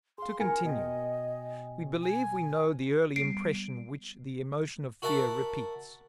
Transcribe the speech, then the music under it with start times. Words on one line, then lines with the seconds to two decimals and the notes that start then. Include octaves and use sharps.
To continue: We believe we know the early impression which the emotion of fear repeats.
0.18 G#4 F5 C6
0.40 A#4 G#5 C#7
0.65 B2 D#5 G5
2.03 G#5
3.16 G3 B3 C7 D7
5.02 F#4 A#4 E5 F#5 A5